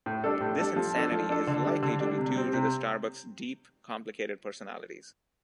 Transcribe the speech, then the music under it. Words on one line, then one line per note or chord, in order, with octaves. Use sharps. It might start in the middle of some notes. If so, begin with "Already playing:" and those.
This insanity is likely to be due to the Starbucks' deep, complicated personalities.
A2
G3 D4 A4
A2
G3 D4 A4
F3
D4 A4
F3
D4 A4
D3
G3 D4
D3
G3 D4
C3
G3 C4
C3